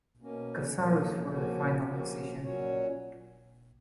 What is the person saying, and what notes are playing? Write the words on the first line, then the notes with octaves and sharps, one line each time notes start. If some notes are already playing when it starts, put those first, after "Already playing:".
Kozoriz for the final position.
B2 A#3 C#4
B2 A#3 C#4
F3 A#3 C#4 F#4
F3 A#3 C#4 F#4
A#2 F#3 C#4 F#4 C#5